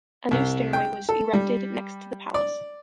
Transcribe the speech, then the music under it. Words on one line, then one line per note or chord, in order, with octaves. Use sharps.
A new stairway was erected next to the palas.
C2
G5
A4
G3
D5